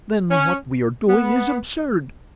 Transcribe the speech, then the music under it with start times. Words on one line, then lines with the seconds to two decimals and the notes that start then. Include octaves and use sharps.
"Then what we are doing is absurd!"
0.30 C#4
1.09 B3